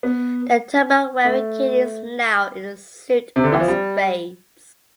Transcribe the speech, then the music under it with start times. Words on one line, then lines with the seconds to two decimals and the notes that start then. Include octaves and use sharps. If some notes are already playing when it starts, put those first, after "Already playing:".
The turban wearing king is now in the suit of spades.
0.03 B3
1.25 A3
3.36 C3
3.44 D3
3.52 E3
3.60 F3
3.68 G3